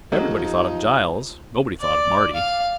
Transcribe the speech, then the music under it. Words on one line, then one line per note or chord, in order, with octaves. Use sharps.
Everybody thought of Giles; nobody thought of Marty.
F3 F#3 G#3 A#3 D#4 G4 A4 D#5
D5
F5